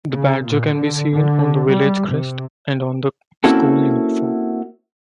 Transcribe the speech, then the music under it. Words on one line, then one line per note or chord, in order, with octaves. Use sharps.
The badger can be seen on the village crest and on the school uniform.
C#3
A#2
D3
D3
G3
C3
A#3 C4 C#4 E4 F#4 A4